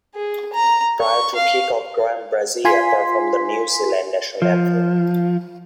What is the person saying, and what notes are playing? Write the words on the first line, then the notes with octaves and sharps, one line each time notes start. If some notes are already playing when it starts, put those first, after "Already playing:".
Prior to kick-off Graham Brazier performed the New Zealand national anthem.
G#4
A#5
C#6
F5
F4 G#5 C6 B6
F3